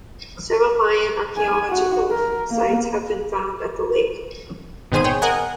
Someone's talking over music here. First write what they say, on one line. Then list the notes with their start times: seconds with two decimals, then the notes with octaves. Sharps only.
Several Mayan archaeological sites have been found at the lake.
1.37 G#5
1.70 F#4
2.10 A#4
2.51 A#3
4.92 G#1 B2 D#3 G#4 C5 D#7
5.04 G#4 C#5 G5
5.22 A#4 D#5 F#5 G#5